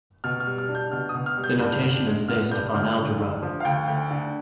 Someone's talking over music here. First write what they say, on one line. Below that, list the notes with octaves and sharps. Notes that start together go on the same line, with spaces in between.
The notation is based upon algebra.
B2 F6
F6
G3
F6
D4
G6
B2 F6
D#6
B2
F6
G3
G6
G2
D3
G#3
B3 F6
G2 G6
D3 F6
D2
D3
F3
F5
D2 G5
D2
D3